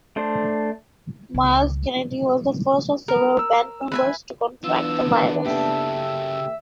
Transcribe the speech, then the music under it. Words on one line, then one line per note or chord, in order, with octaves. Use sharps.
Myles Kennedy was the first of several band members to contract the virus.
A3 D4 C5
C#2
A#4
E6
B4 E5 G#5
E3 B3 D4 F4 E6
C#3 A#3 G4 A4 E5